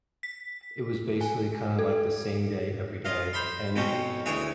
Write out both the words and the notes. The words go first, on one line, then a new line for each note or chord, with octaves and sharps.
it was basically kinda like the same day every day, and
B6
G#5
A4
F4 D#5 F5
C5 B5 C6
F2 B2 C4 C#4
D2 E3 G#4 C#5 G#5